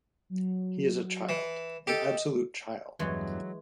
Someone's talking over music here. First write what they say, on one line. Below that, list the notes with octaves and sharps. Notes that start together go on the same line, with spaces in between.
He is a child — an absolute child.
F#3
E3
G4 A4 D#5
E2 G2 E3 F#3 G#3 C#5